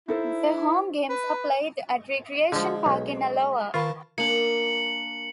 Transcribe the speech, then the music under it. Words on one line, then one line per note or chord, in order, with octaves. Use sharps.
Their home games are played at Recreation Park in Alloa.
D#4 E4 A4 C5
B4
D3 F3 G#3
B1
D#3 F4 A#4 F5 A5 B5
A#3 D4 C#7 F#7